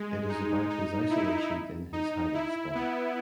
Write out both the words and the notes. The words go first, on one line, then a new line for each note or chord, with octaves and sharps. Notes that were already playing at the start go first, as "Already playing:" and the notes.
It is about his isolation in his hiding spot.
Already playing: G#3
D#4
D#4
E4
D#4
E4
B3